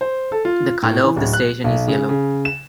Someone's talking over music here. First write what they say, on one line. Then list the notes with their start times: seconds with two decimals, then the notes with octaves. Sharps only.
The color of the station is yellow.
0.01 C5
0.32 A4
0.45 F4
0.82 A2
1.04 E3
1.16 D1
1.33 F#6
1.64 B1
1.88 C#3
2.09 C#3
2.45 E7